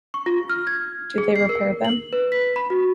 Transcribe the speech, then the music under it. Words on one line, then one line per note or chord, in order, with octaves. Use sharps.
Do they repair them?
C#6
F4
F6
G#6
G#4
C7
A#4
F#7
B4
B6
B5
F#4